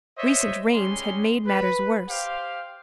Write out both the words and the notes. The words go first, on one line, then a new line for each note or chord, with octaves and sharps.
Recent rains had made matters worse.
C5 C#5 D#5 E5
G3 G#3 C#4 C6
B4
G4 C5 F5 G5